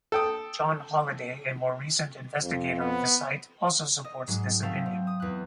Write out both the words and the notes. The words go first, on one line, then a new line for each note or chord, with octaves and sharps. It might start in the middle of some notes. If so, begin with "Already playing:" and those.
John Holladay, a more recent investigator of the site, also supports this opinion.
A4 G5 D#6
F2
B3
D#5
G#2 F#3 G#3
F#3 A3 C4 A4 F5
C4
D#6
E2 F#6